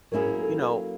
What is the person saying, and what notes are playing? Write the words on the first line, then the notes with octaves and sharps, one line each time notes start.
You know,
F#3 A#3 C#4 E4 G#4 A#4
A4